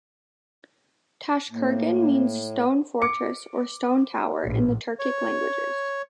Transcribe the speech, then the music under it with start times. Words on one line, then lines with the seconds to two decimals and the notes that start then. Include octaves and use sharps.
Tashkurgan means "Stone Fortress" or "Stone Tower" in the Turkic languages.
1.50 A2 A#3
3.02 D6 C#7
4.45 A#1 A2
4.99 C#5